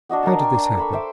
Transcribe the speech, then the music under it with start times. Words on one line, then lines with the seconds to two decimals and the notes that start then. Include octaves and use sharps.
How did this happen?
0.09 D4 F#4 D#5 F#5
0.23 D4 A#4 F5 A5
0.41 G5 C6 C#6
0.55 D4 A#5
0.77 A4 B5 C#6
0.93 C5 E5 C6 D6